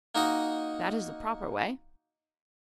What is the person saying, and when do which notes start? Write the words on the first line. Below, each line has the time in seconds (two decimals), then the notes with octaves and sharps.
"That is the proper way."
0.15 A#3 D#4 F#4 D#5